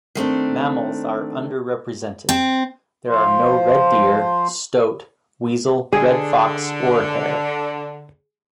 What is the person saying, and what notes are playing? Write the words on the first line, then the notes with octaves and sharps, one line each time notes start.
Mammals are under-represented; there are no red deer, stoat, weasel, red fox or hare.
D#3 A3 C4 D4
C4
F3 C5
D3 G#4